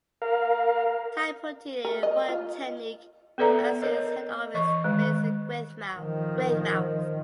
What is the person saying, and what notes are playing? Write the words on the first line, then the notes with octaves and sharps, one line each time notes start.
Tai Poutini Polytechnic has its head office based in Greymouth.
A#4 F5
A#4
D#5
F4
B3 A4 B4 D5 E5 A#5
A#4 C#5 D#5
E3 D#5 C#6
D#3 G#3
D#3 F3